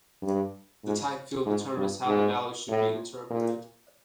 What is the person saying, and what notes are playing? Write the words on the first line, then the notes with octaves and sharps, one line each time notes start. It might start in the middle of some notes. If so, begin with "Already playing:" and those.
The type field determines how the value field should be interpreted.
G2
G#2
G#2
G2
G#2
A2
A#2